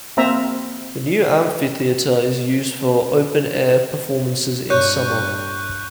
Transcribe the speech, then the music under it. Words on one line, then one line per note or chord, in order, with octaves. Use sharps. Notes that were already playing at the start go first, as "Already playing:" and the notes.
The new amphitheatre is used for open air performances in summer.
A#3 C4 E5 A#5
G2 C#5 C#6 F#6 G6